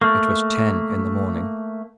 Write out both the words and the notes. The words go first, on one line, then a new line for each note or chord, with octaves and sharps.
It was ten in the morning.
A3 A#3 C#6 F6